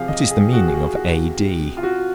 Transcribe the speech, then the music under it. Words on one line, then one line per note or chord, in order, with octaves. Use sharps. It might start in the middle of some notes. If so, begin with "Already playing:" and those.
What is the meaning of A.D.?
Already playing: C3 F3 G#4 F5
D#5
G#4
F#4
G#4
F#4
F#4
F4
F#4